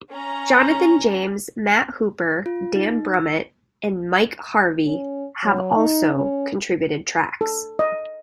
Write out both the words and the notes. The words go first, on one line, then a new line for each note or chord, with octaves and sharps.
Jonathan James, Matt Hooper, Dan Brummitt and Mike Harvie have also contributed tracks.
C#4 A#5
F4
D#4
E6
C#4
F#3
D#4
C#4
A4
D#5